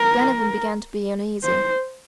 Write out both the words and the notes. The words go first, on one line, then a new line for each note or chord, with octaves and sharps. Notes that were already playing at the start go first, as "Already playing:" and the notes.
Glenarvan began to be uneasy.
Already playing: A#4
C5